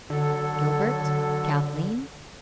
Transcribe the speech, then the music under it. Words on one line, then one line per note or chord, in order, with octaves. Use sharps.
Gilbert! Kathleen!
D3 F#3 A4